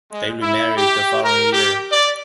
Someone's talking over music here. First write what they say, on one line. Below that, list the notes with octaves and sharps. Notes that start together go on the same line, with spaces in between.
They remarried the following year.
G#3
E4
G4
A#4
G4
D5